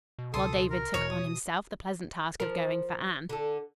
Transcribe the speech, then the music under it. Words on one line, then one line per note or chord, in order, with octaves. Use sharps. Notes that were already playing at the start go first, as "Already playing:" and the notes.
While David took upon himself the pleasant task of going for Anne.
B2
C#2 A4 C6 D#6
A#4
E1 E2 B2 C#5
D#6
F3 A#4
D3 A4